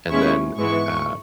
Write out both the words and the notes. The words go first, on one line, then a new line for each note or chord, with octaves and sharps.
and then uh,
B2 G#3 C#4 E4 C#6
G#2 E3 G#3 B3 E4 C#6